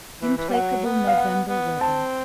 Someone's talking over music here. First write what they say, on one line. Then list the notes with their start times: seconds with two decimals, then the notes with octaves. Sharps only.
Implacable November weather.
0.22 E3
0.37 E3
0.49 G3
0.53 F#3 F#5
0.85 B3
1.07 F5
1.18 F#5
1.49 B3
1.81 C4 A5